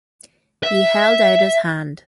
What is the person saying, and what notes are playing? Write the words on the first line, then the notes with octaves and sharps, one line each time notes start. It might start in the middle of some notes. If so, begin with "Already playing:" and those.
He held out his hand.
E5